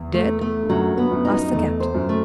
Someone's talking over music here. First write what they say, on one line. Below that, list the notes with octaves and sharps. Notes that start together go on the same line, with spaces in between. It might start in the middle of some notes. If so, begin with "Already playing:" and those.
"Dead?" asked the captain.
Already playing: E2
A3
A3
G2
F#2 F#3
G2
B3
F#2
D#4
F#2
E2 A3
C5
F#2
A3